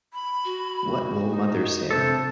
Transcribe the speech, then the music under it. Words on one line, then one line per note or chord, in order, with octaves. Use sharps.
What will mother say?
B5
F#4
D#4
C3 D4 A4 C5